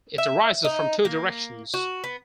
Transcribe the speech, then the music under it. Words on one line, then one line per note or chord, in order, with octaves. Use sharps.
It arises from two directions.
E5
D#4
A#3
F#4
B3